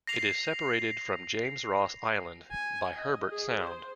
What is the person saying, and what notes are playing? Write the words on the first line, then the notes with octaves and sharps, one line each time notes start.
It is separated from James Ross Island by Herbert Sound.
A#6 C7 F7
G#5
D#5
G#4
C5